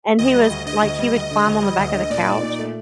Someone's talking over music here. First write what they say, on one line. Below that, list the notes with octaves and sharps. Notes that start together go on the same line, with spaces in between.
And he was like, he would climb on the back of the couch,
D2 D#5
G3
D2
D3 D#5
D2
G3
D2
D3
D2
G3
D2
D3
A#2 D5
D#4
A#2
A3